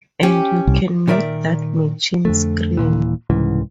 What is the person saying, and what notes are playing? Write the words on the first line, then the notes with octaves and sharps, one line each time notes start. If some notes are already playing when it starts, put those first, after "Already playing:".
And you can make that machine scream.
C#4 G4
C2
A#2 D#3 A#4 D5 E5
F2 D3 A3
D#1 A#2 E3
C2 G#2 C#3 E3